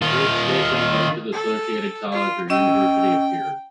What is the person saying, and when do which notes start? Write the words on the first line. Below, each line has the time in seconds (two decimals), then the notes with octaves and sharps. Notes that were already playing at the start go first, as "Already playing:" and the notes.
For each station, a link to the associated college or university appears.
0.02 D#3 F4
1.32 A4
2.12 F4
2.50 C#4 D#5 G5 E6